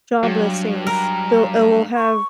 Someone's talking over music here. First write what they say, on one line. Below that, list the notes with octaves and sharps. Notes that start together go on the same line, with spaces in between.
job listings so it will have
G2 F#3
A#4
C#6